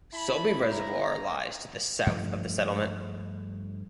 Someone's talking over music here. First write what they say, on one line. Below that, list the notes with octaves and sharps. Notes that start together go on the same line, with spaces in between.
Sulby Reservoir lies to the south of the settlement.
E4 A5 B5
A#5
G2 F3 A3